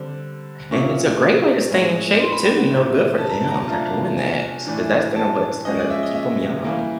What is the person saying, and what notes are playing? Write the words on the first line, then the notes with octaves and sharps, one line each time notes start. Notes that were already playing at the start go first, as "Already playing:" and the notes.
And it's a great way to stay in shape too, you know, good for them for doing that, so 'cause that's gonna what's gonna keep ‘em young.
Already playing: D3 G3 C4
A#2 F3 A#3 C#4 E4 C#6
A2 F3 G#3 C4
C6
B5
G5
F#5
A2 F3 A3 C4
A5
A#5
A5
A#5
A5
C3 F3 A3 D4 F4 A#5
A5
G#5
A2 E3 A3 D4
A5
F3 G#3 C#4 D#5
D5
E5
D#5
E5
E3 G3 A#3